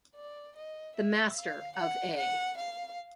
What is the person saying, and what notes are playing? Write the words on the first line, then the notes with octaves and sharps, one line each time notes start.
The master of A.
D5
D#5
E5
F5
F#5
F#5
F5